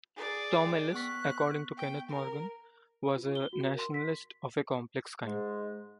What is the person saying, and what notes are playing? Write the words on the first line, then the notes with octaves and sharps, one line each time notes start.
Tom Ellis, according to Kenneth Morgan, was a 'nationalist of a complex kind'.
G#4 D5
G5
B3 C#6 F#6 B6
G5
A#4
F4
G7
F#4
A#4
C6
B6
G#2 G#3